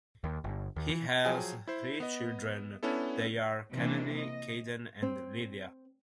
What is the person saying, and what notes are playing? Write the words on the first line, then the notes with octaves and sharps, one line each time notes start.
He has three children they are Kennedy, Kaden and Lydia.
D#2
G1
D#2
E3
F3 F#3 G#4 G5 G#5
E4 C5
B3 D#5
B3 C#4 D4 E4 A4
C3 E3 A#3 D4
D#5
C4